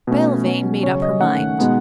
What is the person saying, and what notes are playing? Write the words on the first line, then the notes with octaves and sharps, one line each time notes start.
Belvane made up her mind.
B2 A3 C#4
B2 F#3 C#4
C#3 F#3 C#4 C#5
D#5
D#3 A3 C#4 F#5
B2 G#3 B3 D#4